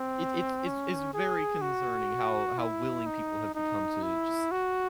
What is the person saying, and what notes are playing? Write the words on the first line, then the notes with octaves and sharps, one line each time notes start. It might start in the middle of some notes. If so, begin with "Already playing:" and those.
it it's it's it's very concerning how how willing people have become to just
Already playing: C4
C#4
G#4
F#4
E4
D#4
D#4
E4
F#4